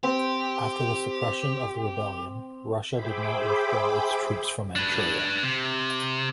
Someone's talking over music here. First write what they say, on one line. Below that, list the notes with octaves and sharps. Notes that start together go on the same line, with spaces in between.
After the suppression of the rebellion, Russia did not withdraw its troops from Manchuria.
C4 G4
G#4 C5 E5 G5 B5 D6
D4 B4
C3